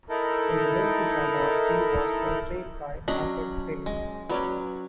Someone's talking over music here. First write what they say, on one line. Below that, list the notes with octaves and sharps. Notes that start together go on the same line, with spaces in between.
In the docudrama he was portrayed by Albert Welling.
D#4 E4 A4 A#4
F#3 C#4 D4 D#5 B5
G#3
F#3 C#4 B4 D5